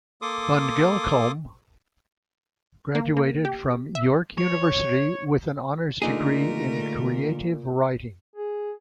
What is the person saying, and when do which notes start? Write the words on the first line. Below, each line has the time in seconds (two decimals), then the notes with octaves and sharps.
Van Belkom graduated from York University with an honors degree in creative writing.
0.22 A#3 A4 C6 D6 D#6
2.95 A#3
3.17 A#3
3.45 G4
3.95 E5
4.38 C#5
6.02 A#2 D3 A3 D#4 G#4 A#4
8.36 G#4